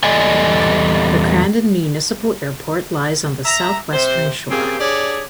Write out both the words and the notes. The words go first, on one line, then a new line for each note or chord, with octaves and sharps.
The Crandon Municipal Airport lies on the southwestern shore.
E2 G3 A4 D5 D#5 G#5
E5 A#5
C3 C5
C#3 A#3 C4 G4 G#4
D4 G4 G#4 C#5 D5